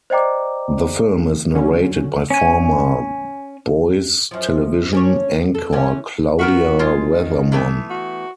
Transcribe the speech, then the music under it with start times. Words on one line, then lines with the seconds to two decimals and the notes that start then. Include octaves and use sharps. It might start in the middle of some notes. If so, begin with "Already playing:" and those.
The film is narrated by former Boise television anchor Claudia Weathermon.
0.10 C5 D5 D#5 G5 A#5 D6
1.55 D3 F#3 C#4
2.30 C#4 G#5
4.31 F#2 F3
4.92 C#4 D4 C#5
5.55 A4
5.72 C3 E3 C#4
6.39 B3 F#4 A#4 E5
6.79 G#3 F4
7.13 D#3
7.52 E3 A3 B3
7.90 F#4